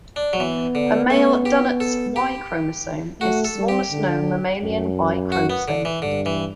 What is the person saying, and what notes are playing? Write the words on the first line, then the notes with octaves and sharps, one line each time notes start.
A male dunnart's Y chromosome is the smallest known mammalian Y chromosome.
D4
F#3
E3 B3
D3
A3
G4
A4
G4
A3 F#4
A4
G3
G4
D3
F#2
F#4
B3
D3
E3
G2 D3
E3